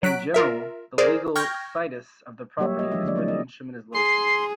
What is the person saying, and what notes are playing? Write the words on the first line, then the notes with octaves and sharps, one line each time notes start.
In general, the legal "situs" of the property is where the instrument is located.
F#3 F#6 B6 D7
F4 A#4 E5
G#4 A#4 C5 D5
G5 C#6 F6 G6 G#6 A#6
F#3 G3 A#3 G4 C#5 E5
G#3 G4 D#5
F3 F#3 G#3 D4 E5
D3 A#3 D4 D5
F#3 G#3 A3 C4 E4
D#5
G#4 C6 C7